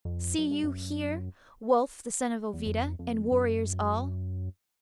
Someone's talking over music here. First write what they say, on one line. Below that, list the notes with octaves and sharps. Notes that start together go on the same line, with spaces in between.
'See you here, Wulf the son of Ovida, and warriors all!
F2
F#2
G2
F#2
E2
F2
F2
F#2